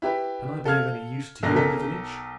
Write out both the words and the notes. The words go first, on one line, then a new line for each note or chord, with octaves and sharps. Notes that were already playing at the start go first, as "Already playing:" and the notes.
Can I be of any use to you in the village?
E4 G4 B4
A4 F5 F6 G#6
B1 D3 A#4 A#6
B1 A4 A#4 B6